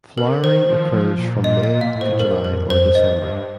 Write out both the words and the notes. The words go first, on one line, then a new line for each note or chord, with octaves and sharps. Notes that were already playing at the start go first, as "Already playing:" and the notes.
Flowering occurs from May to July or December.
C3 A#4
D#3 C5
F3
F3
A#2
A#2 D#5
D#5
A#2
F5
A2
C5
G2 A#4
F2 A#4
F2 C5
G2 D#5
G2